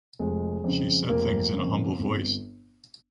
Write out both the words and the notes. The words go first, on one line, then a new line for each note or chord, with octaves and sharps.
She said things in a humble voice.
F1 G#3
F2 C#3
F1 A#3
F2 C#3
G1 C4